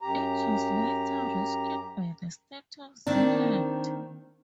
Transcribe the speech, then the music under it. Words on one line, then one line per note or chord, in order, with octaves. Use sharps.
It was later rescued by the State of Zeeland.
F#2 G4 A#5
D#3 A#3 C4 D4